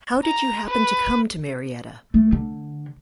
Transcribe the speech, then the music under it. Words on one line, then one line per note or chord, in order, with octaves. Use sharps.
How did you happen to come to Marietta?
A#5
B4
A3
D3